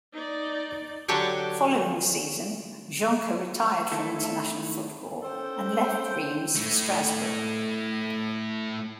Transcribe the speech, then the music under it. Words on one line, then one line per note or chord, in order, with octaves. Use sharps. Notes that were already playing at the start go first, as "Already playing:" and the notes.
Following the season, Jonquet retired from international football and left Reims for Strasbourg.
D#4 D5
D3 F#3 D4 G4 C#5 G#5
D#3 A3 E4 A4
C#4 A4 C5 G5
A3 E4